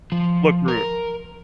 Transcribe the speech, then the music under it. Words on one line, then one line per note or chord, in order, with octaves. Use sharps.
look through it?
F3
A#4